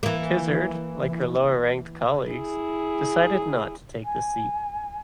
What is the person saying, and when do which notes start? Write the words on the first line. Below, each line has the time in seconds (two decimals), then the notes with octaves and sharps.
Tizard, like her lower-ranked colleagues, decided not to take the seat.
0.03 E3 A#3
2.28 E4 G#4
4.04 G#5